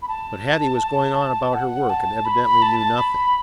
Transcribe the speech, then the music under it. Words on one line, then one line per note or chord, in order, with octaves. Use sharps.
But Hattie was going on about her work and evidently knew nothing.
B5
A5
F#5
A5
B5
B5
A5
A5
B5